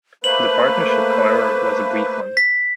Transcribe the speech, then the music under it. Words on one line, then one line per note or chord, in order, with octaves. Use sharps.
The partnership, however, was a brief one.
A3 A#3 B4 C5 F#7
B6